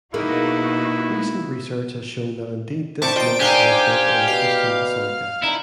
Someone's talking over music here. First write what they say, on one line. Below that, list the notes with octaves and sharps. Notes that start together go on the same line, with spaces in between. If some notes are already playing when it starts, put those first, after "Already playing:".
Recent research has shown that indeed this mosque was built on a Christian basilica.
B2 A#3 D#4 E4 F#4 G#4
A2 C4 C5 E5 A5 C#6 D6
D#3 F4 D#5 G5 D7
D3 D#4 G4 F5 G5 G#5
B2 F5
D#3 D#4 E4